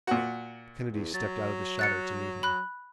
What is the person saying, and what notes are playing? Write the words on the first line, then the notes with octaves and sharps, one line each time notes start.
Kennedy stepped out of the shadow to meet him.
A#2 F#4
E2
F#3 A6
F#6 A6 C#7
B5 F#6